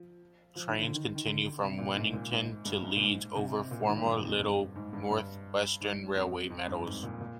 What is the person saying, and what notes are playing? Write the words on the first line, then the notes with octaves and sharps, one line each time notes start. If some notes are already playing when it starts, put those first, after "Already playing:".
Trains continue from Wennington to Leeds over former "little" North Western Railway metals.
Already playing: F3
F3
D#3
D3
D#3
D#3
D3
C3
A#2
G#2
A#2
G#2
G2
G2
A#2
G#2
C3
A#2
G#2
D#3
A#2
G2
F2
G2
G#2
G2
G2
G#2
F2
F2
G2
G#2
A#2
A#2